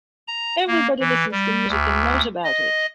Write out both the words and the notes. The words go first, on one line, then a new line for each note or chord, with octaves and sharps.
Everybody listens to music and knows about it.
A#5
A#3
E3
G3
D2
D#5